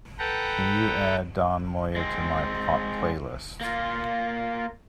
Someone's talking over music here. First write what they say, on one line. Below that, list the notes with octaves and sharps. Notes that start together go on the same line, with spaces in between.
Can you add don moye to my Pop playlist?
A4 B4 F#5 G5 A#5
G#3 C4
A#3 F4